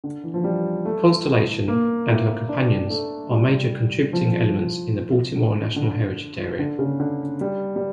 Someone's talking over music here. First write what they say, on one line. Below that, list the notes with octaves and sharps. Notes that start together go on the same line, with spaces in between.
"Constellation" and her companions are major contributing elements in the Baltimore National Heritage Area.
D3
E3
F3
G3
A3
A#3
E4
D4
A3
G3
F3
D3
D3
D3
C#3
D3
G3
G3